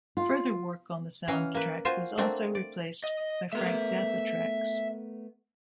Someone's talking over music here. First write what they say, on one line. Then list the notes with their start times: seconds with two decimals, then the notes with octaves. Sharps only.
Further work on the soundtrack was also replaced by Frank Zappa tracks.
0.17 F4
1.28 E3 C#4 F5 F#5 A#5
1.55 A#3 B4
1.85 F4 F#4 C5 G#5
2.18 A3 A#3 C4 D4 F#4
2.55 D5
3.04 D#5
3.53 A3 B3 A#4 E5 C6